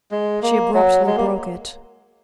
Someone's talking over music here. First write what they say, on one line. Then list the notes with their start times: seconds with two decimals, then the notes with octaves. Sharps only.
She abruptly broke it.
0.11 G#3
0.42 A#3
0.74 F#3
1.06 G#3
1.17 A#3